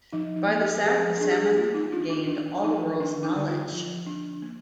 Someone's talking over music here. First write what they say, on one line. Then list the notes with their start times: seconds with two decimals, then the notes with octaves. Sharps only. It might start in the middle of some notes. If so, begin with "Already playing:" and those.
By this act, the salmon gained all the world's knowledge.
0.13 F3 D#4
0.36 D#4
0.48 A#3
0.61 G4
0.84 F3 G#4
1.20 D4 G#4
1.31 G4
1.43 G#4
1.56 A#3 F4
1.74 D#4
1.92 D4 F4
2.10 D#4
2.27 D4
2.63 F3 D#4
3.00 D4
3.23 D#4
3.36 D3
3.48 F4
3.72 F3
4.07 D4
4.42 A#3